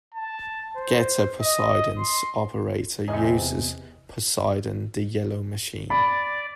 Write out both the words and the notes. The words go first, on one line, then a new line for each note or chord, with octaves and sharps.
Getter Poseidon's operator uses Poseidon, the yellow machine.
A5
C5
D#5
C6
E2 C3 D#5 G#5
D5 B5